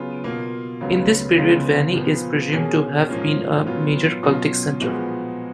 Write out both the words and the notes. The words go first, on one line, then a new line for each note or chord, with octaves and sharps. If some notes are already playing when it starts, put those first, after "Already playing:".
In this period Vani is presumed to have been a major cultic centre.
Already playing: C#3 F#3 B3 F4 G#4
B2 A#3 F4
C#2 C#3 F#3 B3
C#2 C#3 F3 G#3 B3
A#2 F3 B3
B2 A#3 C#4 G#4
G#2 F3 A#3 C#4 F4
A#2 F#3 B3 F4
B2 F#3 C#4 F4
A#2 F3 G#3 B3 F#4